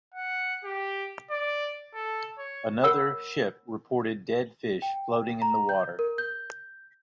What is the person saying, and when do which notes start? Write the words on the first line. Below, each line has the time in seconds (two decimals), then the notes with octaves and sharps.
Another ship reported dead fish floating in the water.
0.14 F#5
0.64 G4
1.31 D5
1.94 A4
2.38 C#5
2.84 A#4 C#5 F#5 B5 E6
4.82 G5
5.42 A#5
5.69 G6
5.99 A#4
6.18 G6